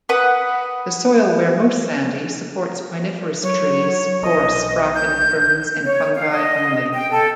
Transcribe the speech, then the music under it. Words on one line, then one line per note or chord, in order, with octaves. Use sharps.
The soil where most sandy supports pineferous trees, gorse, bracken, ferns and fungi only.
B4 F#5 D#6
F#3 C#5
B1 D#5
G6
C#5
F5
D#5
G5
A4